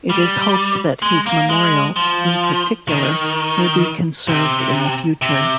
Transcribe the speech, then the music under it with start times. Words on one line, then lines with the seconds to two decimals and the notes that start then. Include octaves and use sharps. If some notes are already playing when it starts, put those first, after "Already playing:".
It is hoped that his memorial, in particular, may be conserved in the future.
0.10 G3
1.02 G#3
1.26 A#3
1.50 G#3
1.96 F3
2.88 D#3
4.28 C3
5.22 C3